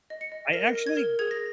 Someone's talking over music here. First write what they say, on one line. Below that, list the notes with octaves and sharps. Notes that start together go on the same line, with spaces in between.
I actually
D#5
C#7
D#5
A#4 A#6
A#4
G#6
A#4
G#4 G#6
A#6